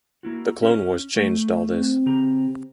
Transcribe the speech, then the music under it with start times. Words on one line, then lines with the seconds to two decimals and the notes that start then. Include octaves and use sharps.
The Clone Wars changed all this.
0.23 A#3 E4 F#4
0.63 C#4
1.16 A3
1.72 C4
2.06 C#3 G4 A#5